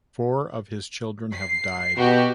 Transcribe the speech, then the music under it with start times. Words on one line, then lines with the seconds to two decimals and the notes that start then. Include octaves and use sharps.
Four of his children have died.
1.34 C7
1.97 B2 F#4 G4